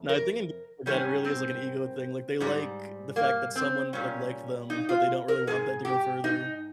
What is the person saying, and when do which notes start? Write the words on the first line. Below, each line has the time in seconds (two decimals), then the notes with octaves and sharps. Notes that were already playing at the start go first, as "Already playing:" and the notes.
Now, I think that it really is like an ego thing, like, they like the fact that someone, like, liked them, but they don't really want that to go further.
Already playing: F2 C3
0.09 A#4
0.86 G#2 D#3 G3 C#4
1.24 C4
2.40 G#2 G3
3.16 A#3
3.56 C4
3.93 A#2 G3 C#4
4.70 D#4
4.89 F4
5.28 A#4
5.47 G#2 F3 G#4
5.85 G4
6.24 D#4